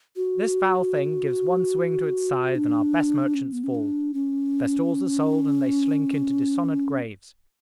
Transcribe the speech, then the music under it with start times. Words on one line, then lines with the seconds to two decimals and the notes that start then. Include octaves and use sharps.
This foul thing gives one swing to its scythe, and our best merchants fall; their stores are sold, and they slink into dishonored graves.
0.16 F#4
2.55 D4
3.34 C#4
3.53 B3
3.64 C#4
3.75 D4
4.14 C#4